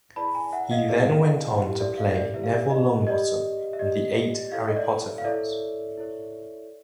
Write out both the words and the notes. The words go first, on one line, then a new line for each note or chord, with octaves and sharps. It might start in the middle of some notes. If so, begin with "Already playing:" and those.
He then went on to play Neville Longbottom in the eight Harry Potter films.
E4 G#4 B4 D5 A5 B5
G#5 A#5
E5 F#5
D#5 F5
E4 G#4 B4 D5
E4 G4 B4
D5 E5
D#5 F5
D5 E5
E4 G4 B4 E5
F5
D5 E5
D#5
G4 B4 D5 D#5
E5
G4 B4 D5 D#5
E4 A4 C#5 F5
E5
D#5
D5 E5
F5
E4 A4 C#5 D5 E5
E4 A4 C#5